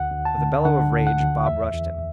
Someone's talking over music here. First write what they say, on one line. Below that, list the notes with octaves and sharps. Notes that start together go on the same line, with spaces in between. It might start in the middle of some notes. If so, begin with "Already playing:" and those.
With a bellow of rage, Bob rushed him.
Already playing: D2 F#5
D2
A5
D3
D3 F#5
D2
F#5
D2
E2 E5
E2